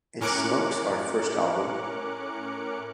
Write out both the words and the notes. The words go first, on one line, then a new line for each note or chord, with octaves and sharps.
It smokes our first album.
A2 C#4 A#4 D6 F#6 C#7